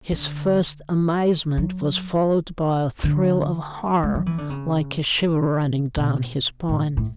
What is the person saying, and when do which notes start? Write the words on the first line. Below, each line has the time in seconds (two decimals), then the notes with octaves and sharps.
His first amazement was followed by a thrill of horror, like a shiver running down his spine.
0.11 D3
1.57 F#3
3.04 D3
4.03 G#3
4.15 F#3
4.26 E3
4.38 D3
4.50 C#3
5.97 B2
6.69 A2
6.97 A2